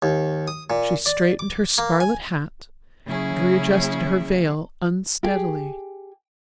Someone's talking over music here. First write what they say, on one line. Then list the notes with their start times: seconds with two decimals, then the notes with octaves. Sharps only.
She straightened her scarlet hat and readjusted her veil unsteadily.
0.02 D#2
0.48 D#6
0.70 A#2
1.06 D5
1.39 D6
1.78 A#3
2.00 G#5
3.06 C#3 F#3 A#3 C#4 E4 G#4
5.23 G4 G#4